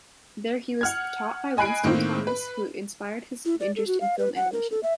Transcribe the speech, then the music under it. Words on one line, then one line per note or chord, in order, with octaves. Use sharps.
There he was taught by Winston Thomas who inspired his interest in film animation.
F#5 F6 G#6
D#5 G#5 B5 F#6 C7 D7
A2 D#3 A#3 C4
B4
E4
D5
A4
F#4
F5
B4
F#5
A#4
A4
E5